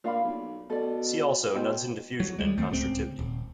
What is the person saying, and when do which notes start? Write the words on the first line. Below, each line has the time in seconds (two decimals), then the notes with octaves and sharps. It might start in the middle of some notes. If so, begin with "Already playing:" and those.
See also Knudsen diffusion and constrictivity.
0.04 A#2 D4 F5 B5
0.24 B1
0.70 B2 A4 D5
1.55 B2 C5 G5
2.20 F#3
2.39 D#2 G3 G#3
2.58 D#2 D#3 A3 C4
2.70 D1 C#2 B2 C4
3.19 D#1